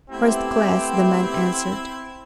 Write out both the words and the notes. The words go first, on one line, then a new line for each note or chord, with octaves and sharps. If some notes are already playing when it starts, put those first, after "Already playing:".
"First-class," the man answered.
A3 B3 C4 E4 G4